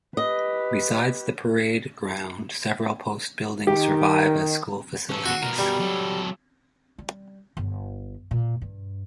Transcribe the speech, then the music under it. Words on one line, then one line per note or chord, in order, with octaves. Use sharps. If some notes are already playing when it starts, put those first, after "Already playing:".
Besides the parade ground, several post buildings survive as school facilities.
G4 B4 D#5
D#3 G4
C#4 A4
F#4 F#5
B2 A#4
G3
F#3 A4
G3
G1
A#2
G2